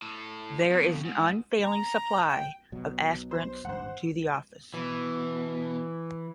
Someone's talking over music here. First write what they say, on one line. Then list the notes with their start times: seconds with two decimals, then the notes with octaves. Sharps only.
There is an unfailing supply of aspirants to the office.
0.02 A2 A4
0.71 F2 B2
1.05 G#2
1.64 A#5
2.30 G5
2.72 B1 B2 F#3
3.31 C5
3.65 D#1 G#1 G2 C5 F#5
4.74 B2 E3